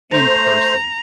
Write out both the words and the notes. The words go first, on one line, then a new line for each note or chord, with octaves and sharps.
in person?
A3 C5 A#5